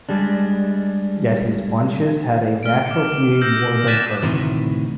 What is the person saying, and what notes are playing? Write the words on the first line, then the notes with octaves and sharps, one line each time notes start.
Yet his bunches had a natural beauty more than hers.
G3 G#3 D4
F6 D7
D6
E6 G6 A#6 C7
D6 F#6 A6 B6 D#7 E7
D2 A2 C3 D#3 E3